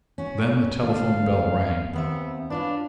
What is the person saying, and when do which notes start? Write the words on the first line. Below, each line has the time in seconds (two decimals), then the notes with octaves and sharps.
Then the telephone bell rang.
0.18 C#4 F#4
0.80 D3 A3 F5
1.93 D#2 B3 C4 E5
2.50 C#4 D4 F4 B4